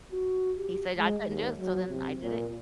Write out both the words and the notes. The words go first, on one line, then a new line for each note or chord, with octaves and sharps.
He said I couldn't do it, so then I did it.
F#4
G4
G#3
D#2
F#3
C3
A#2